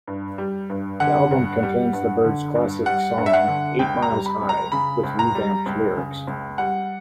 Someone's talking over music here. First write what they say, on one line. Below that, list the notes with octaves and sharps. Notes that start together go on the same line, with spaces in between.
The album contains the Byrds classic song "Eight Miles High", with revamped lyrics.
G2
G3
G2
D3 F#5
G2
G3
G2
D3
G2
G3 F#5
G2
E5
F#5
D3
C#2 G5
A#5
G3
B5
C#2
A#5
C#3 B5
C#2
A#5
G3
C#2
C#3
C#2
G3 F#5